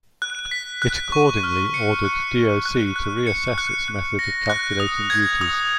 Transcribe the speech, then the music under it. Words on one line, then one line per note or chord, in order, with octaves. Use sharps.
It accordingly ordered DoC to reassess its method of calculating duties.
F#6
B6
F#6
C#6
F6
C#7
F#6
C#7
F#6
F#6
C#7
F#6
F#6
A#6
F#6
D#6
G#6
D#6